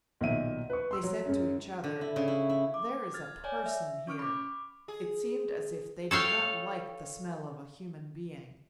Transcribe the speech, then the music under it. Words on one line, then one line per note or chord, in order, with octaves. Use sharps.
They said to each other, "There is a person here"; it seemed as if they did not like the smell of a human being.
B1 A#2 D#3 E5 D#7
B4 C#6
C6 E6
F#3
F#2 G#3 C#4
D3
E4
C#3
E4
E4
D6
F6 G#6 A6
C#5 D5 G#5
E5
C#4 C#6 F6 D7
B5 D6
G#4
A4 C#5 F5 G5